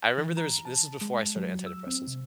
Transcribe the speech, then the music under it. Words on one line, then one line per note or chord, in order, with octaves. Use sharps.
I remember there was this is before I started antidepressants.
E3
A#5
A5
G#3
F#3
E6
C4
C3